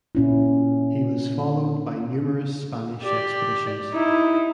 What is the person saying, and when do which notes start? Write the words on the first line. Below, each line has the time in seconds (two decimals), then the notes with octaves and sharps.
He was followed by numerous Spanish expeditions.
0.15 A#2 C#4 E4
3.03 G4 D5
3.92 D#4 E4